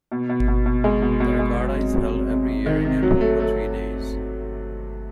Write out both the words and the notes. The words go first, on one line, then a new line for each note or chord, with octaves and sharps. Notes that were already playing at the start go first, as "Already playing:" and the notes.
The regatta is held every year in April for three days.
B2
B2
B2
B2
G#3
B2
B2
G#3
F#3
C3
F#3
C3
C3
C3
D#3
C3
F#3
A3
A3